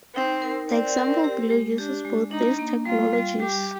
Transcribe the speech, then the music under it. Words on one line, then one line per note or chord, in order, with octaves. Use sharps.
The example below uses both these technologies.
C4 D#4
A#4
C4 D5
A#4
G4
G#3
D4 G4
G#3
D4 D#4
A#3
G3 F4
G3
G3 G4